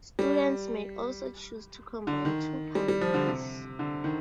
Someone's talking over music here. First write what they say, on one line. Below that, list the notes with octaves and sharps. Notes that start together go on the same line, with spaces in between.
Students may also choose to combine two pathways.
G3
D3
D#3
G3
G3
F3
D3
C3
D3
D#3